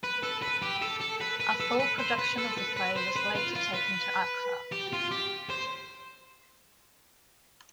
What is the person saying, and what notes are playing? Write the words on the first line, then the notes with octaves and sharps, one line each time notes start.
A full production of the play was later taken to Accra.
B4
A4
B4
G4
A4
A4
B4
B4
A4
B4
C5
B4
A4
B4
B4
C5
B4
F4
F4
B4
G4
F4
G4
C5